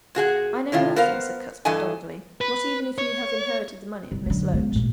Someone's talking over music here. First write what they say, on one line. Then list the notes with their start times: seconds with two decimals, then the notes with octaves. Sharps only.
"I know nothing," said Cuthbert doggedly, "not even if you have inherited the money of Miss Loach."
0.15 A#2 F#4 G#4 F#5
0.72 A2 C3 D#3 F4
0.96 B3 A#4 C5 F5
1.65 G2 E3 A4 D#5 G#5
2.41 B4
2.98 C#5
4.12 C2
4.26 F#2 D3
4.52 C#2 B3
4.72 A1 A#2